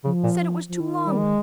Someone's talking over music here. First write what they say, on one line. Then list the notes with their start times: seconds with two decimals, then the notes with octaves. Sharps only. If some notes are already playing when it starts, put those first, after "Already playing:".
Said it was too long!
0.04 C#3 F3
0.23 A#2
0.69 F3
0.80 D#3
1.06 G3
1.18 G#3